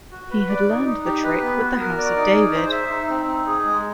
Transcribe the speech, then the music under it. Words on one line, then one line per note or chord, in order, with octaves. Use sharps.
He had learned the trick with the House of David.
F#4
B4
D5
D#4
D#4
G4
B4
B3
F#4
A#4
D5
D#4
G#4
C5
E5
D#4
C4
D#4
G#4
G#3